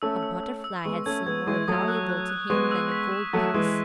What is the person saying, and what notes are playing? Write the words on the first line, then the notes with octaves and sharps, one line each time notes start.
A butterfly had seemed more valuable to him than a gold piece.
A3 C#4 E6
E6
E6
E6
G#3 B3 C#6
A3 C#4 G#6
G#3 B3 G#6
E3 G#3 C#6
F#3 A3 D#6
F#6
F#6
F#6
G#3 B3 C#6
E6
B6
E7
F#3 A3 C#6
E3 G#3 C#6